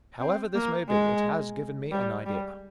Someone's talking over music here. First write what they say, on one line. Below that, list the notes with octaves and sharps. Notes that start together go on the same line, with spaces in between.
However this may be, it has given me an idea.
C4
A#3
G#3
G3
G3